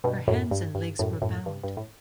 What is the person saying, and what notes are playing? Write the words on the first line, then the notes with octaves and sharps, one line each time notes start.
Her hands and legs were bound.
G2 B2
F#2 A2
G2
G2
F#2 A2
F#2 A2
G2
G2
A2